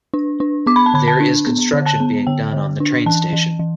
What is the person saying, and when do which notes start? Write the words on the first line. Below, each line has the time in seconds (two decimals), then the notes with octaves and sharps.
There is construction being done on the train station.
0.14 D4
0.40 D4
0.66 B3 D6
0.76 B5
0.86 A5
0.94 D3 B5
1.08 A5
1.20 D4
1.47 B3
1.73 D3
1.86 A5
2.00 B3
2.27 D3 G5
2.53 D3
2.80 D4
3.06 E3 A5
3.33 E3
3.59 E3